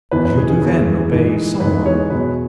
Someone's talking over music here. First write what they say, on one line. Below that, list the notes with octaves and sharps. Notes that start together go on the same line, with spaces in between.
"You do, then, obey some one?"
E2 E3 B4
B4
G#4
G#4
E2 E3
G#2 E3
G#2 E3 B4
G#4 C#5
E2 B2 F#3 B4